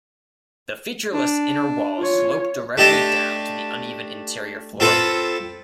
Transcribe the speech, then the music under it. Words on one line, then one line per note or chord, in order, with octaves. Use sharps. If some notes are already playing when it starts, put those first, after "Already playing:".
The featureless inner walls slope directly down to the uneven interior floor.
D4
F4 C#5
A3 D4 G4 D#5 A5
C4 F4 A4 B4